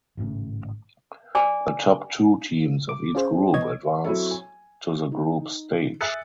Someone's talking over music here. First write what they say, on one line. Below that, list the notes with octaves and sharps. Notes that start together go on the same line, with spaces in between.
The top two teams of each group advance to the group stage.
G#1 A2 C#3
D5 G#5 D6
D6
C#4 F4 G#4 C5
B1 E3 B3 C#5 D#5 G#6
F#3 C4 E4 A4 C#5
G#5
D#4
E5 G#5 D#6 F#6 A6 C#7